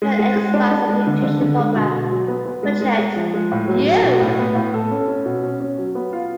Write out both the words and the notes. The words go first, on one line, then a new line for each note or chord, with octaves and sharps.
Her exercise and nutrition program Project:You!
G#3
G#3
G#3
D4
D4
G#3
D3
D3
D3
G#3
B2
B2
F#3
B3
B3
G#3
G#3
G#3
F3
G#3
A2
F#3
F#3
B2
A2
B3
A2
A4
C#4
C#4
B2
C#4
C#4
F#3
B3
F4